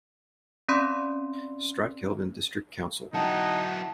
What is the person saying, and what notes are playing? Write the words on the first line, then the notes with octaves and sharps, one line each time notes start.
Stratkelvin district council.
C4 C#4 D5 B5 C6
F#3 D#4 E4 F#5 G5 A5